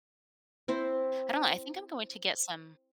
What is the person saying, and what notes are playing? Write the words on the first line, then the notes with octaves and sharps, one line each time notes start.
I don't know, I think I'm going to get some,
C4 E4 C5